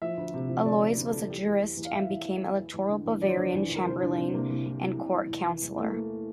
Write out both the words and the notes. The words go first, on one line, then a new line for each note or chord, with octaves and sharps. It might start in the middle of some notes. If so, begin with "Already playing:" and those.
Aloys was a jurist and became electoral Bavarian chamberlain and court councilor.
F3 E5
D2
C3
F3
D2 D5
F3
D2
A4
F3
E2 G4
E2
E2
E2
F5
E2 E5
E2
E3
E3
E2
E2
D3
E2
F3 D5
C5
D3 D5
E2
D3
A#4
C2 C5
C2 D4
C2 C4
C3 A#3
C2
C2
C2
C2
E3
E2
E3
E2
E2 A3
A#3
E3 A3